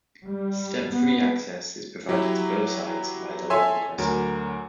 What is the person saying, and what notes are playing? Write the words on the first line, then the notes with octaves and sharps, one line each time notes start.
Step-free access is provided to both sides via the level crossing.
G3
B3
F#3 E4 G4
A4 C#5 E5 G#5 C6
D2 F#3 A#4